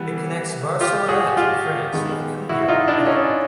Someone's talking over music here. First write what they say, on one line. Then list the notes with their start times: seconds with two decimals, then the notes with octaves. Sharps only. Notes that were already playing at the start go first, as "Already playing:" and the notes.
It connects Barcelonnette in France with Cuneo in Italy.
Already playing: E3 G3 B3
0.81 F4 G4
1.08 F#4 G#4
1.37 F4 G4
1.93 D#3 G#3 B3
2.49 E4 F#4
2.62 E4
2.68 D#4 F4
2.88 D4 E4
3.06 C#4 D#4